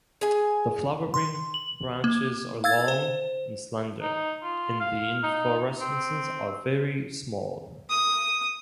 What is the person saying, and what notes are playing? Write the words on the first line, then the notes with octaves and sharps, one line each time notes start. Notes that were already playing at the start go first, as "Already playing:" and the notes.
The flowering branches are long and slender and the inflorescences are very small.
G#4 G#5
C6
F#7
A#3
F5 E6 G#6 A6
C5
D#4
F4
F5
D#4
C4
D#6